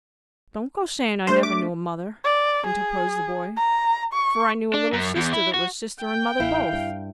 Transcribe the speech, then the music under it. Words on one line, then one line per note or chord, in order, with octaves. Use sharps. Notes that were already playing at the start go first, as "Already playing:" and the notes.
'Don't go saying I never knew a mother,' interposed the boy, 'for I knew a little sister that was sister and mother both.'
A3 D4 C5
D6 B6
D5
G#4
A#5
C#6
D4
F#2
E2
E4
F#4
G5
A1 E4 F5
G2